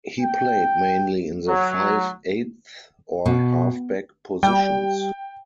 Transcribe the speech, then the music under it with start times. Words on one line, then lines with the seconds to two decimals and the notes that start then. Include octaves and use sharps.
He played mainly in the five-eighth or halfback positions.
0.21 G5
1.48 F#3
3.26 B2
4.43 G3 G5